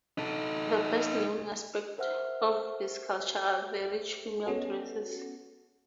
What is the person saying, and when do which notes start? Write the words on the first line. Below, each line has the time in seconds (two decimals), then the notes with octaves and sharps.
The best-known aspect of this culture are the rich female dresses.
0.18 D#4 A4
1.98 A#4 C5 E5 F#5 F6
4.46 B3 C#4 F#4 A4